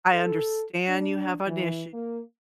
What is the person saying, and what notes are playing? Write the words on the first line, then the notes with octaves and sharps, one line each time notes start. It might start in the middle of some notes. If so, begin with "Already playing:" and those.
"I understand you have an issue.
A4
D4
E3
A#3